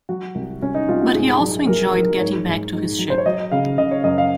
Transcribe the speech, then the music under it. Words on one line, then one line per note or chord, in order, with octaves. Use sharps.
But he also enjoyed getting back to his ship.
F#3 F#4
C2
C2 C#4
D#4
C2 F4
F#4
G#2 G#4
F#3
F#3 A#4
F#3 A#4
G#2 C#5
G#2
G#2
F#3
C5
C#5
F#3 D#5
C#3 F5
C#3 D#5
C#5
F#2 D#5
F5